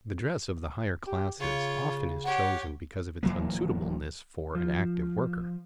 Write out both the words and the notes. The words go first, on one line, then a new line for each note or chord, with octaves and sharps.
The dress of the higher classes often is chosen because of its unsuitableness for an active worker.
G4
C#3 F4 C#5
G4 C#5 F#5
D1 E3 F#3 A#3
F3